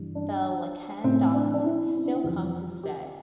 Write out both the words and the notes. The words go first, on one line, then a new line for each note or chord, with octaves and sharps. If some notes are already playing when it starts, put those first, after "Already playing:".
The Lacandon still come to stay.
Already playing: G2 E3 G3
D4
A2 G3 C4
D4
D4
E4
C4
D4
E4
F2 E3 G3 F4
G4